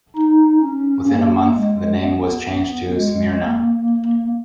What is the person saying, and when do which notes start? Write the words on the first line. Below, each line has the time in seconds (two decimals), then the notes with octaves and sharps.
Within a month, the name was changed to "Smyrna".
0.16 D#4
0.63 C#4
1.09 A#3
1.56 G#3
2.04 B3
2.97 G#3
3.44 A#3